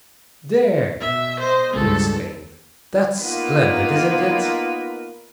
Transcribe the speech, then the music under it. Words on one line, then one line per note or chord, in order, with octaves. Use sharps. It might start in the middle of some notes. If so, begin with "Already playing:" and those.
"There!" he exclaimed; "that's splendid, isn't it?"
B2 E5
C5 D#5
C#2 G2 A4
A#3 B3 D#4 F4 A#4 B4